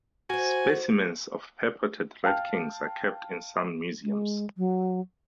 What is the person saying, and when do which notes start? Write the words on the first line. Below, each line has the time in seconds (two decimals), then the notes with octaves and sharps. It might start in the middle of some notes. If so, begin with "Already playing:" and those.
Specimens of purported rat kings are kept in some museums.
0.30 F#4 A#4 C5 G#5
2.24 F5 G5 A5 F6
4.04 G#3
4.57 F#3